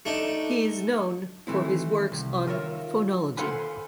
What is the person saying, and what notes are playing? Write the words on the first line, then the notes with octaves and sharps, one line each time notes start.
He is known for his works on phonology.
A3 D4 D#4
D#3 E3 A3 C4 E4
C2
D#3 F4 A#4 C#5 E5
A4 C5 F5 F#5 G#5 B5